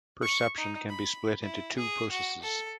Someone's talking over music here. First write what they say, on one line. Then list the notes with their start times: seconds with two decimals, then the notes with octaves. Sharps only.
Perception can be split into two processes.
0.22 C#6
0.57 D#4
0.89 B5
1.42 E4
1.77 G#4
2.11 F#4
2.42 A4